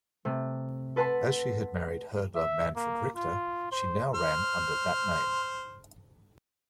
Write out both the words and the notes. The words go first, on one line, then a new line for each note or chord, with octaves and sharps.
As she had married hurdler Manfred Richter, she now ran under that name.
C3 A3
A4 B4 F#5 A5 B5 C6
E5
A#3
F4
C5
C5 F6